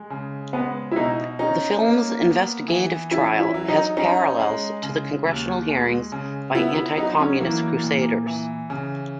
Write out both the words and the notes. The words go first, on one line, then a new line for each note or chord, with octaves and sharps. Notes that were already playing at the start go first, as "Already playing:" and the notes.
The film's investigative trial has parallels to the congressional hearings by anti-communist crusaders.
Already playing: G#3
C#3
G#3 B3
E4
B2 D#4
C#4 D#4
A#3
B3
E3
C#4 E4
E4
F#3
D#4
C#4 D#4
G#3
C#3
D#2
G#3
C#3
B3 E4
E4
F#3 D#4
C#4
E3 A#3
A#2
E3
C#3